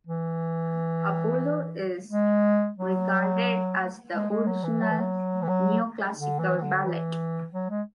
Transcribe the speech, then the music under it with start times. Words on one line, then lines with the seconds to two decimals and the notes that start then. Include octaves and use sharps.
Apollo is regarded as the original neoclassical ballet.
0.06 E3
2.10 G#3
2.78 F#3
4.14 G#3
4.30 G#3
4.47 F#3
4.63 E3
4.81 F#3
4.90 E3
4.99 F#3
5.42 E3
5.48 F#3
6.17 D3
6.39 E3
6.57 E3
6.62 D3
6.85 E3
7.52 F#3
7.69 G#3